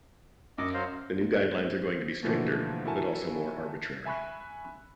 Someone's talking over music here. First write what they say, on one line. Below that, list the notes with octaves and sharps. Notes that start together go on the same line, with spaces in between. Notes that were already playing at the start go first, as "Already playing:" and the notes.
The new guidelines are going to be stricter, but also more arbitrary.
F#2 D#5 D6
F#3 C5 F5
A#1
G#2 C5
B2 D3 E3 F3 A3 A#3
E4 F#4 A4 A#4 G#5 A5
E5 G#5 B5 C#6 F#6